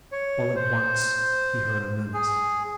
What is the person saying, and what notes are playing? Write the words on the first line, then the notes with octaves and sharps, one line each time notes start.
All at once he heard a menace.
C#5
C5
G#4